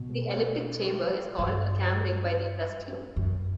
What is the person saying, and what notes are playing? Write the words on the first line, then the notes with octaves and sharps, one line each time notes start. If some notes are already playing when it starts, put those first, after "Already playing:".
The elliptic chamber is called a 'cam ring' by the industry.
Already playing: B2
G2
F#2